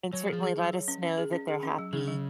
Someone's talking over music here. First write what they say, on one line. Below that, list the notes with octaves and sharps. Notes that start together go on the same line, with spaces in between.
and certainly let us know that they're happy.
F#3 C#5
F3 G#4
G#4
F#3
C#5
C#4
C#4
G#4
C#4
G#4
C#4
F#3
C#3 G#4
F#3